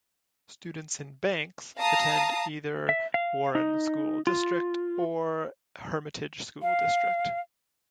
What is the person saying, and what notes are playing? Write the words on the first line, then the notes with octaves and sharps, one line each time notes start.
Students in Banks attend either Warren School District or Hermitage School District.
F5 A5 A#5 D#6
E5
F5
D#4
F4
F5